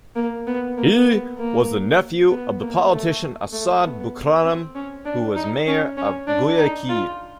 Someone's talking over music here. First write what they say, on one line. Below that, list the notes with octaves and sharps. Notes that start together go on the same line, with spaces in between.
He was the nephew of the politician Assad Bucaram, who was mayor of Guayaquil.
A#3
B3
A#3
B3
A#3
B3
A#3
A3
A3
B3
C4
C#4
D4
D#4
C#4
C#4
D4
D#4
F4